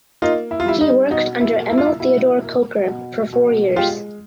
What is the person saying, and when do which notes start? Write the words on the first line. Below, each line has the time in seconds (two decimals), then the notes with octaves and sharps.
He worked under Emil Theodor Kocher for four years.
0.22 A#3 D#4 F4
0.51 E4
0.60 F4
0.66 G3 E4
0.81 D#4
1.11 B2 D#4
1.41 E4
1.55 A#3
1.69 E4
1.78 F4
1.86 E4
2.00 B2 E4
2.44 A#3
2.88 B2
3.33 B2
3.76 G#3 F4 G4